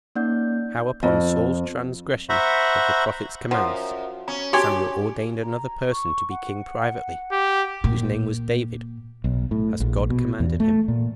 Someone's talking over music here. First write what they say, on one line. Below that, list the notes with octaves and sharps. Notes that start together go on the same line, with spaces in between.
How, Upon Saul's Transgression Of The Prophet's Commands, Samuel Ordained Another Person To Be King Privately, Whose Name Was David, As God Commanded Him.
A#3 C#4 D#4 D5 F#5 G6
F2
C5 E5 F#5 A#5 B5 C#6
F#2 F3 F#5
C#4 A#5
D4 F#4 G4 C#5 G#5
A#5
C#6
F#5
G4
A#2
B1
A2
A#1
B2
E2
A3
A#2